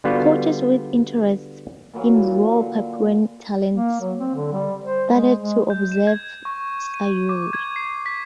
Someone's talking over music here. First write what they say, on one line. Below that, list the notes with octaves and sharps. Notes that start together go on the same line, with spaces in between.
Coaches with interests in raw Papuan talents started to observe Sayuri.
D3 G3 B3 F4 F#4
A#2 E3 F#3 F5
D3
A#3
F#3
C4
D3
G3
C5
G#3
G#3
G6
E7
G#6
C#6
D#7
D6
G#6
C7
B6